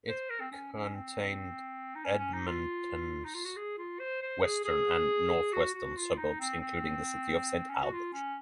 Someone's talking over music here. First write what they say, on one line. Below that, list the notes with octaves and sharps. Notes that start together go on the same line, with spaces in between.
It contained Edmonton's western and northwestern suburbs, including the city of Saint Albert.
C5
A#4
C4
C#4
C#4
C4
D#4
C#4
C#4
D#4
F4
D#4
F4
F#4
G#4
F4
C5
C5
G#4
G#4
F#4
F#4
F4
D#4
C4
C4
C#4
F#4
F4
C#4